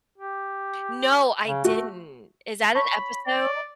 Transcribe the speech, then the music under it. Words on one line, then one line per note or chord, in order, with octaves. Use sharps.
No, I didn't. Is that an episode?
G4
C#3
A3 F#4
C#5 A5 B5 C#6
D5